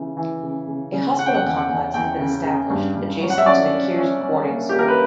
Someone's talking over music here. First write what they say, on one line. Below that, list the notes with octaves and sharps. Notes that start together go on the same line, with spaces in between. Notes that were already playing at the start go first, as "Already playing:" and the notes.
A hospital complex has been established adjacent to the Kyrgyz boarding school.
Already playing: C#3 E3
E3
C#3
C#3
C#3
C#3 F#5
G5
F#5
E2
F#5
E2
E2 G5
C#3
C#3
G2
G2
F#3
F#5
E5
C#4 D5
C#4
C#4
C#4
A#3
A#3 G4
A#4
B4